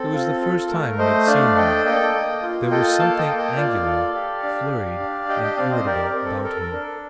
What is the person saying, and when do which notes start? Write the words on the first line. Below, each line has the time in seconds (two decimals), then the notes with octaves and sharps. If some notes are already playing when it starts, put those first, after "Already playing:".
It was the first time he had seen him. There was something angular, flurried and irritable about him.
Already playing: C4 A4
0.13 F4
0.41 A4
0.66 A4
0.70 A3 A#4
0.98 A3 C5 D#5
1.27 D4 D5 F5
1.56 A4 D#5 G5
1.85 A#3 D#5 G5
2.14 A#3
2.43 F4
2.71 A4 D#5 G5
2.99 A#3 F5 A5
3.18 D#5 G5
3.29 A#3
3.37 D#5 G5
3.56 F4 D5 F5
3.86 A4
4.15 G4
4.43 D4
4.72 G4
5.00 D4
5.29 G4 D#5 G5
5.44 D#5 G5
5.57 C4 D5 F5
5.71 C5 D#5
5.86 G4 A#4 D5
6.05 A#4
6.15 C4
6.25 A4
6.43 A4 A#4
6.62 A#4
6.72 D4